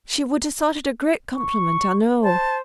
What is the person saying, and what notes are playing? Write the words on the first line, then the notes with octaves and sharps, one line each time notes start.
She would ha' thought it a great compliment, I know.'
C#6
C5 A5